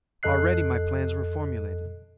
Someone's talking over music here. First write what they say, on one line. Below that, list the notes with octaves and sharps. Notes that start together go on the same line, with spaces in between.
Already my plans were formulated.
F2 A4 D#5 F#6 C7